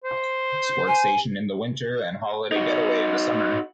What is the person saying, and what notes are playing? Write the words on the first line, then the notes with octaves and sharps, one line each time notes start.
Sports station in the winter and holiday get-away in the summer.
C5
G#5
D#4 F#4